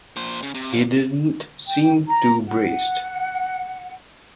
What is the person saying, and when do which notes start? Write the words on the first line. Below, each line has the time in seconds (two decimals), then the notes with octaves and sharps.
He didn't seem too braced.
0.16 A#2 C5
0.43 C#3
0.55 C3
0.73 F3 A#3
1.67 G5
2.08 A#5
2.46 F#5